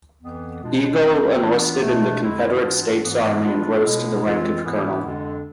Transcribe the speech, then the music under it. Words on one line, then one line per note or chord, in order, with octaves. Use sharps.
Eagle enlisted in the Confederate States Army and rose to the rank of Colonel.
F2 E3 B3
B2 G#3 D4 F4
F2 D3 F3 A3 C4
E3 B3 D4 F4
B2 A3 D4
F2 D3 G#3 C4 E4
G#2 E3 B3 D4 F4
G#2 E3 B3
E3 B3 D4 F4
B2 G#3 B3 E4
F2 E3 G#3 C4 F4
G#2 E3 B3 E4
F2 D3 G#3 D4